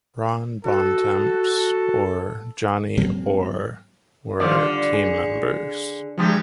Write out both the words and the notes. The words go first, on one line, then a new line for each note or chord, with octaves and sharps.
Ron Bontemps and Johnny Orr were team members.
F#4 A4
G#2 F#3 A#3 C4
D3 D#3 F3 G3 F4 D5
D3
G#4
G2 E3 F3 G3 G#3 G4